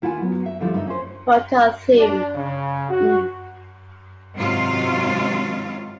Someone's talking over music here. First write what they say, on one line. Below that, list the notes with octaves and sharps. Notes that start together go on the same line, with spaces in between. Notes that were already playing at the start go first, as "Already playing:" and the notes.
Motto Theme, mm.
D#2 E4 F4 F#5 G#5
F#3 B3
E5
D3 F3 G3 A3 E4
G2 D#4 D#5 E5
C#4 C5
D4
C#3
F#4
G#2 C3 D#3 F#3 C#4 F4